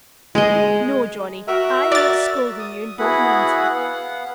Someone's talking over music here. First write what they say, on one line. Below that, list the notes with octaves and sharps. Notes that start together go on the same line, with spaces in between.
No, Johnny, I ain't scolding you, and don't mean to.
G#3 G#4 D#5
F#4 A#4 E5
D5 A6
D#6
B3 E4 F#4 G#4 F#5 B5
B3 F5 F#5